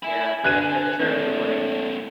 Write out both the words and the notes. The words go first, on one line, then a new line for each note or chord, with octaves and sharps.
Yeah yeah, in terms of, like,
E5 G#5 B5
D3 D4 B4 F#6 G#6 D#7
A2 A#3 C4 D5